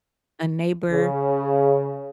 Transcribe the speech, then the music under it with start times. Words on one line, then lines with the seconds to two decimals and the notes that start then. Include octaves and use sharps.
a neighbor.
0.91 C#3